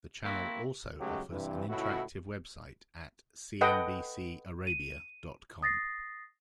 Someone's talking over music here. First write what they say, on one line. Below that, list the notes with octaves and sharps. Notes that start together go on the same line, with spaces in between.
The channel also offers an interactive website at cnbcarabia dot com.
A#3 C4 E4 F#4
B1 C#3 F#3 G#3 A3 G4
G2 C3 E3
C#2 A2 C#3 E4 F#4
A4 B4 D#5 F#5 G5
D#7
D#6 A6 A#6 C7